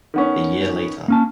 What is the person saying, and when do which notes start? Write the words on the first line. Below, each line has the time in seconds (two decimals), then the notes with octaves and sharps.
A year later.
0.14 D#3 B3 C#4
1.08 A#3 C#4 A5